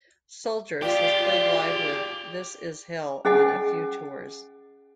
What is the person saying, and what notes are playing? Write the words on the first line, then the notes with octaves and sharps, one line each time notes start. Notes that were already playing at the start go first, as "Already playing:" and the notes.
Soldiers has played live with This Is Hell on a few tours.
F4 G4 G#4 D5 G5
C#4 G#4 D#5 F#5 G#5